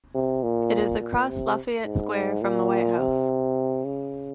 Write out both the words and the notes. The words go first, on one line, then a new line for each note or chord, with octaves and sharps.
It is across Lafayette Square from the White House.
C3
A#2
A#2
C3
G#2
A#2
C3
C#3